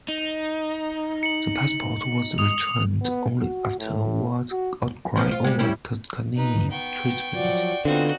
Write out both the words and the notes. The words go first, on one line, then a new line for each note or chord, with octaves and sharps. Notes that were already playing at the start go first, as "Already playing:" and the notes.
The passport was returned only after a world outcry over Toscanini's treatment.
D#4
C#7 F#7
D#6 F7
B3
F#4
A2
F#4
D#2 F3 B3
F4
G3 G#3
G3 C#4 E4
D#4 B4
B3 G5 C#6
F3 F#3 D5 F#5
D3 B3 C4 D#4 F4 F#4